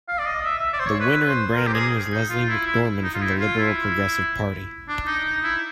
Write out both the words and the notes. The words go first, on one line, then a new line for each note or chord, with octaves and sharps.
The winner in Brandon was Leslie McDorman from the Liberal-Progressive party.
F5
D5
D#5
E5
E5
D5
C5
C#5
B4
C5
A#4
G4
G#4
D#4
F4
E4
E4
D#4
F4
E4
F4
E4
D4
D#4
D#4
E4